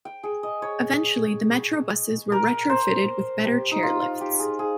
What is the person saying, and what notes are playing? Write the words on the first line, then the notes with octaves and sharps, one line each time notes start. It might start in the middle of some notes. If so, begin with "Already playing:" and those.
Eventually, the Metro buses were retrofitted with better chair lifts.
G5
G#4
D#5
C#5
A#4
C5
G4
D#4
F4
F4
G4
G#4
G#4